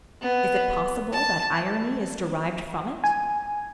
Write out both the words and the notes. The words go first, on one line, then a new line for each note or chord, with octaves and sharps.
Is it possible that irony is derived from it?
B3
A5
G#5